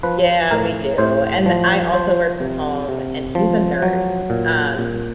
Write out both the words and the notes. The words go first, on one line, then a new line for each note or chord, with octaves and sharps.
Yeah, we do, and I also work from home, and he's a nurse, um,
F3 B4
A2 A#4
A2 C5
F3
F3 C5
C3
C3
F3
F#3
A#2
A#2